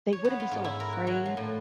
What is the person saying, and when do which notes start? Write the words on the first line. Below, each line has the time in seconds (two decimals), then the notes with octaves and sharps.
they wouldn't be so afraid
0.13 C#5
0.25 B3
0.40 F4
0.51 G#2
0.64 E4
0.80 A#4
0.93 F#4
1.07 F#3
1.26 F3
1.37 A2